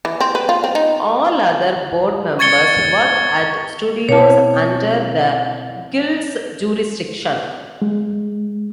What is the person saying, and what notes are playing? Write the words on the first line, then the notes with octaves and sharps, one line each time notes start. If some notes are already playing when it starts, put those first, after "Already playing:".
All other Board members work at studios under the Guild's jurisdiction.
E3
C4
B4
F4
C4
D#4
C#6 G#6 A6 C#7 G7
B2 C4 E4 C#5 A5
G#3